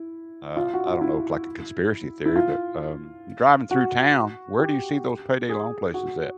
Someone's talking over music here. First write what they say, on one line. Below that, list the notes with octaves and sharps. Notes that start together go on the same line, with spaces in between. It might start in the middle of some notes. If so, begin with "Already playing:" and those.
uh, I don't know, c like a conspiracy theory, but, um, you're driving through town, where do you see those payday loan places at?
Already playing: E4
F4
F#4
F4
E4
E4
F4
F#4
G4
G#4
F#4